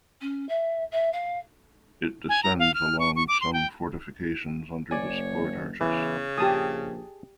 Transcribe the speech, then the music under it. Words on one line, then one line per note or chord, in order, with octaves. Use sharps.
It descends along some fortifications under the support arches.
C#4
E5
E5
F5
G#5
A#5
F5
F6
C#6
C#6
D6
C6
G5
F#1 C#5 D5 G#5
E2 C#3 E3
A#1 G4 G#4 A5 D#6